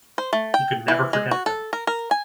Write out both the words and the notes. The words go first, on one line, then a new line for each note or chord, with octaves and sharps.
He could never forget them.
C5
A3
G5
E3
G#3
F#4
A4
A#4
A#4
G#5